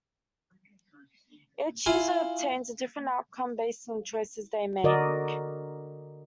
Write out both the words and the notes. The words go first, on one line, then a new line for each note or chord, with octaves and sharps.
Each user obtains a different outcome based on the choices they make.
E4 F4 F5 G#5
D3 F#4 A#4 D5 D#5